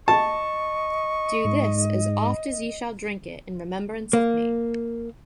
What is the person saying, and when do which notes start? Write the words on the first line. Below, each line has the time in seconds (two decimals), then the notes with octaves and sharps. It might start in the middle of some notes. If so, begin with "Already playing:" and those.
Do this, as oft as ye shall drink it, in remembrance of me.
0.08 D#5 A5 C#6
1.45 G#2
4.13 A#3